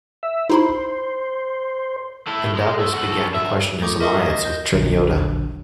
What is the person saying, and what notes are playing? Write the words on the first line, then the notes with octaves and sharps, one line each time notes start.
Mindaugas began to question his alliance with Treniota.
E5
D#4 E4 C5 B5
A3 E4
G#3
A3
F#4 A4
D2 E5
A3 C#6 D6
A#4 D#5 E5 C6 C#6 D#6
D#5 A#6
G6
E1 A#1 D3 F#3